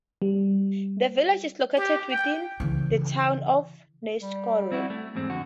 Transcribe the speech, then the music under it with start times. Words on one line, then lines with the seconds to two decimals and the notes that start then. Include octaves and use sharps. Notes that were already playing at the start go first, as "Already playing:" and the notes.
The village is located within the Town of Neshkoro.
0.22 G3
1.77 G4
2.10 G5
2.60 C#3 E3
4.22 G3
4.72 C4 E4 F#4
4.90 A3
5.15 E2 G#2 C4
5.30 F2 D3 F#4